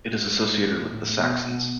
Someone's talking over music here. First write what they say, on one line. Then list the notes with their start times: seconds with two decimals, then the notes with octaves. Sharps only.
It is associated with the Saxons.
0.12 G#2
0.83 A2
1.19 B2